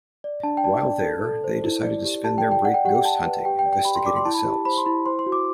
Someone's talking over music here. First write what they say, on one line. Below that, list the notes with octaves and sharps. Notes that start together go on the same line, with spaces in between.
While there, they decided to spend their break ghost hunting investigating the cells.
D5
D4 A5
G5
D5 A5
D5
A4
A4
C5
E4
D5
G4
G4 A5
G5
D5
G5
D5 F#5
G5
G4 F#5
G5
G4 A5
B4
G4 G5
G5
D5
G5
G4 B5
C6
D5 D6
C6
E4 A5
B5
A5
G4
A5
C5 B5
C6
E4 B5
C5 C6
C6
F#4
D6